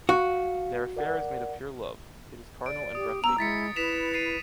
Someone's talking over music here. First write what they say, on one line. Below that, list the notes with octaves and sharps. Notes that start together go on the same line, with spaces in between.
Their affaire is made of pure love, it is carnal and breathtaking.
F#4 F5
A#4 D5 F#5
D5 D7
G4 D#6
B3 A#5 E6
G#3 E4 A6 B6 C#7
E4 B4 B6 E7 F7
A6 C7 D#7